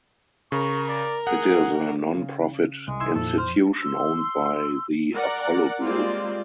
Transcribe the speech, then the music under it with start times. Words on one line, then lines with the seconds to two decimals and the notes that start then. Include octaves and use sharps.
It is a nonprofit institution owned by the Apollo Group.
0.52 C#3 A#4 C#6
0.89 D5
1.27 G#4 F#5
2.15 C#3
2.88 C2 G#3
3.00 D#3 E4 C6 E6 G#6
3.15 F2 A#2 F3 A4
3.38 C5 F6
3.77 C6 E6
5.15 A#4 D5 F#5
5.84 G3 G#3 A#3 C4 F4 D5